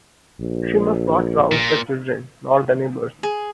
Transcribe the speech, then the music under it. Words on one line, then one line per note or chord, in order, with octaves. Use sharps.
She must not rouse the children, nor the neighbours.
A#1
A#2
G#4